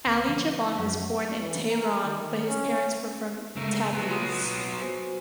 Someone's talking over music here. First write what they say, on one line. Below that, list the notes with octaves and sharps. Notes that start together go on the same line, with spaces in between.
Ali Javan was born in Tehran, but his parents were from Tabriz.
D2 A#3 C4
D3 F3
F#2
E3
A#4
D#3
C#4
C#3 G#3 A3 A#4
F#3 B3
F4 C6 D#6
F#4 C5 G#5